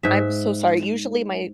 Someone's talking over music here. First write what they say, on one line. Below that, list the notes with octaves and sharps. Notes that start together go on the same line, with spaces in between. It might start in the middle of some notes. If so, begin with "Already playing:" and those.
I'm so sorry, usually my
G#2 E5